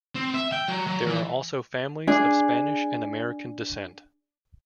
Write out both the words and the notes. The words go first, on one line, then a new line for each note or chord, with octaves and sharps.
There are also families of Spanish and American descent.
C4
E5
G5
F#3
F#3
E3
D4 G#4